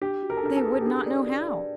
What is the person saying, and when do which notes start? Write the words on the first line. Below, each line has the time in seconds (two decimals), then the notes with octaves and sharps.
They would not know how.
0.02 D4 G4
0.23 F#4
0.30 A#4
0.37 A4
0.43 D4 A#4
0.57 A4
0.64 G#4 B4
0.73 A4
0.81 G4
0.86 D4 G#4
1.06 D5
1.27 D5
1.48 D5